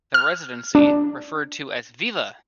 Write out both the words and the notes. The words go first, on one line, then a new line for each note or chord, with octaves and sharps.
The residency, referred to as Viva!
F6
D4